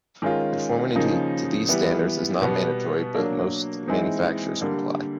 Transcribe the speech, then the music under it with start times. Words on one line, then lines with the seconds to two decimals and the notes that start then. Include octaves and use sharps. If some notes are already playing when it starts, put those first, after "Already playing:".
Conformity to these standards is not mandatory, but most manufacturers comply.
0.22 D#3 G#3 C#4 F4
0.95 C#3 F3 A#3 D#4
1.68 E3 G3 B3
2.41 B2 G3 B3
3.14 F#3 A#3 D4
3.88 E3 G#3 C4 D#4
4.61 D3 G3 A#3